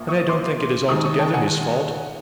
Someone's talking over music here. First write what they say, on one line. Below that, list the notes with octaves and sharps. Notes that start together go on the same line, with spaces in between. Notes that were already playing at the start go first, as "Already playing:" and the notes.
But I don't think it is altogether his fault.
Already playing: A#1 A2 F3 A#3
C#6 D#6
C6 D6
D#2 D#3 G#3 C#6 D#6
C#6 D#6
G5 A5
F#5 G#5